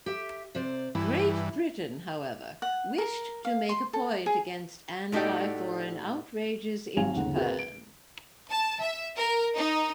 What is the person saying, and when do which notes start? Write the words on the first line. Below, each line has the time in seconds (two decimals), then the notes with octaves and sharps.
Great Britain; however, wished to make a point against anti-foreign outrages in Japan.
0.06 G4 E5
0.55 C3 C5 D5
0.95 G2 E3 E4
2.62 F#5
2.98 A#4
3.45 F5
3.69 C6
3.93 A4
4.26 G#4
5.12 A2 A3 D#4 F#4 G4 D5
6.97 G#1 F#3 C#5 F5 G#5 F7
7.16 G1 D#2 C#3 F#5
7.35 C4 F#4 G#4 A#4 B4
7.59 D7
8.50 A5
8.81 E5
9.16 A#4
9.55 D#4